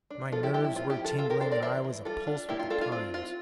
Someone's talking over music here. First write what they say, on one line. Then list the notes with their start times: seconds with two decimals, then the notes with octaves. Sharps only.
My nerves were tingling and I was a-pulse with the times.
0.11 D4
0.32 F3 F4 A4
0.43 E4 G4
0.54 F3 E4 G4
0.64 E4
0.75 C4 F4
0.90 E4 G4
0.97 F3
1.05 F4 A4
1.18 E3 F4 A4
1.30 G4 A#4
1.40 D4 A4 C5
1.52 A#4 D5
1.62 E3 C5 E5
1.85 E3
2.05 G3 F4 A4
2.27 D4
2.49 A#3 E4 G4
2.59 F4
2.70 D4 F4 A4
2.81 F4
2.92 C4 F4
3.14 C4 F4